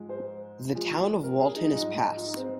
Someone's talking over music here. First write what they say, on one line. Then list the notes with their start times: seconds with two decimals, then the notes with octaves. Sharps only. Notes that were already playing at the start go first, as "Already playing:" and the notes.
The town of Walton is passed.
Already playing: G#2 F3 G#3
0.09 C5
0.75 A#2 F3 G#3
1.23 A#4
1.39 G#4
1.56 D#4
1.72 G#2 F3 G#3 D#4
2.16 F4
2.21 D#4
2.36 C4